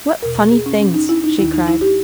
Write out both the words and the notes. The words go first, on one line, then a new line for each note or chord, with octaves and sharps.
"What funny things!" she cried.
E2 B2 A#4
G#4
C#4
C#4
D#4
E4
D#4
D#2 D#3 E4
D#4
E4
G4